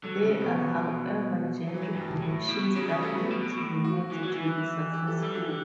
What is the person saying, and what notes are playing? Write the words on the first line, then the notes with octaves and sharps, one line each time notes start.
There are, however, genre conventions that need to be met to be successful.
F#3 A4
C#3 C#4
B2 B3
F#3
F#3
E3
F#3
G2
A2
B2
C#3 F#3
G3
C#3 A3
B3
A2
B2
A2
F#4
E3
F#3
E3
G4
A4
G3 A4
F#3 G4
E3
D3